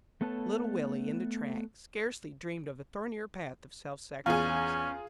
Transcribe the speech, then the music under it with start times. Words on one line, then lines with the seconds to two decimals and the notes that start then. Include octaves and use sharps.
Little Willie, in the tracts, scarcely dreamed of a thornier path of self-sacrifice.
0.21 A3 B3 A4 B4 C#5 A5
4.26 E2 C#4 F4 G#4 G#5